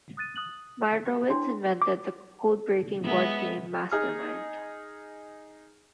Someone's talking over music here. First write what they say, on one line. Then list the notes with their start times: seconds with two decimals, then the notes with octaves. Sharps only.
Meirowitz invented the code-breaking board game "Master Mind".
0.17 D#6 F#6 A6 D#7
0.36 D#6 F#6 F#7
1.29 D4 E4 C#5 G5 C6
1.82 D6
3.03 G#3 B3 E5
3.92 D#4 G#4 F6